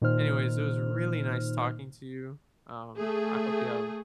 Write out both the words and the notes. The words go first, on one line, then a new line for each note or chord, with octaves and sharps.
anyways, it was really nice talking to you, um, I hope you have
A#2 D#3 D#4 C5 F6
A3 G#4